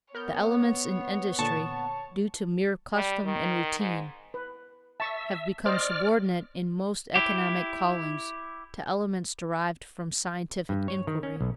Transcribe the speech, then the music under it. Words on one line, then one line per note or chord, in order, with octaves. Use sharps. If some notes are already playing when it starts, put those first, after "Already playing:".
The elements in industry due to mere custom and routine have become subordinate in most economic callings to elements derived from scientific inquiry.
B3 A#4 C#5 F6 G6
A#2 D3 A5 C#6
G3
D#3
G#2
B4
E5 A5 C#6
C5 D5 D#5 F6
E4 G4
G2
C#5
D#3
C#4
B1